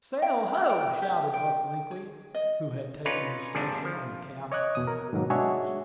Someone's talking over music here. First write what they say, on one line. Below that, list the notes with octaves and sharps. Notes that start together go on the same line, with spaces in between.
"Sail, ho!" shouted Buck Lingley, who had taken his station on the cap of the foremast.
G5
G5
G4
G5
G#4
D#5
C#4 D#4 F4 B4 C#5 D5
D#2 G#2 C3 F3 D4
F3
C#5 D#5 D6 D#6 F#6 G#6
E2 B2 D#6
A#4
G#2 D#3 F#3 A#3
G#3 D4 F#4 G#4 C#5 E5